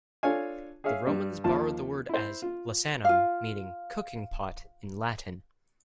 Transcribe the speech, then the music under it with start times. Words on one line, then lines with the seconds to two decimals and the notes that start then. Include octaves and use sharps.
The Romans borrowed the word as "lasanum", meaning "cooking pot" in Latin.
0.23 D4 F4 A4 C#5 F5 G#5
0.84 G#4 C#5 E5 F5
1.07 G2 G3
1.44 D#2 F3 F4 A5
2.09 E4 C5
2.42 F4
3.05 F4 F5